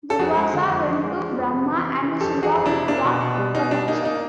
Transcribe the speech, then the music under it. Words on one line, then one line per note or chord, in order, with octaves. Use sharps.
Durvasa went to Brahma and Shiva for protection.
A4
F2 F#4 G#4
G#3
D3
F2
F3
G#3
F3
F2
C3
E3
C3
E3
F2 G4 A4
E3
F#4 G#4
F2
D4 E4
C3
A#3 D4
B2
B2
G3
B2 D#4
G3 D4
A#3 D#4
A#3 D#4